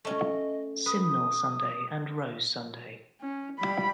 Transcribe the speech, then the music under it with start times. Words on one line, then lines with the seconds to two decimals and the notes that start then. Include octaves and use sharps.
Simnel Sunday and Rose Sunday.
0.05 A3 C#4 D#5
0.86 B4 D#6
3.21 C#4
3.59 G3 B5